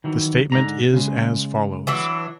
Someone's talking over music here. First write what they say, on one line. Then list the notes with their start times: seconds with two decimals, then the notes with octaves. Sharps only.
The statement is as follows.
0.04 D#3 E3 F#3
0.52 G#2 D3 A#5
0.93 C#3 G#3
1.87 E3 F#3 D4